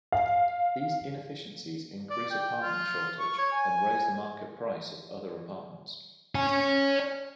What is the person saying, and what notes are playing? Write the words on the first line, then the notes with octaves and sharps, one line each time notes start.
These inefficiencies increase apartment shortage and raise the market price of other apartments.
F5
D5
G5
F4
C#6
C#5
G#5
C#5 G#5